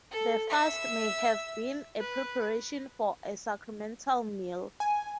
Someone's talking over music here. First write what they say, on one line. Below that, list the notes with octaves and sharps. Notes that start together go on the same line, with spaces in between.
The fast may have been a preparation for a sacramental meal.
A4
E5 E6
B4
G#5